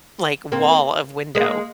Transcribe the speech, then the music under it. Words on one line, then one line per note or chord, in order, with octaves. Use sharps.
like, wall of window
A#3 C4
G#3 A#3